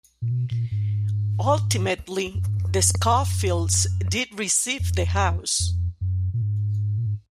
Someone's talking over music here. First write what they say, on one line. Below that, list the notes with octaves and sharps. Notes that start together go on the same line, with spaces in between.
Ultimately, the Skofields did receive the house.
A#2
B2
A#2
G#2
F#2
G#2
F#2
F2
F2
F#2
A#2
G#2
A#2
G#2